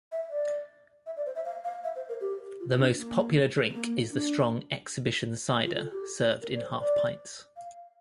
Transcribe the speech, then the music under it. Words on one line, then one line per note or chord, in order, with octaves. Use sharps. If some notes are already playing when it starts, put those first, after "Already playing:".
The most popular drink is the strong "Exhibition Cider", served in half pints.
E5
D5
E5
D5
C5
E5
F5
F5
E5
C5
A#4
G4
F4
D4
A#3
C4
A#3
D4
F4
A4
G4
A#4
D5
C5
D5
F5